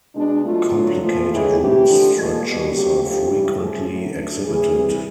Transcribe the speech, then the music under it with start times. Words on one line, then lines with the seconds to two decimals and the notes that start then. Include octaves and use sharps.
Complicated root structures are frequently exhibited.
0.16 B2 G#3 D4
0.45 B2 F#3 A3 F4
0.73 D3 F#3 A3
1.02 A#2 F3 A3 F4
1.30 A2 E3 G#3 G#4
1.58 C3 E3 A3 G4
1.88 D3 F3 A3
2.15 A#2 F3 G#3 A4
2.44 B2 G3
2.73 C#3 F#3 A3 G4
3.01 D3 F3 A3 G4
3.29 C#3 E3 G3
3.58 A2 F3 A3 G#4
3.87 A2 F#3 A3
4.14 D3 F#3 A3
4.44 A2 E3 A3 G#4
4.72 C3 E3 G3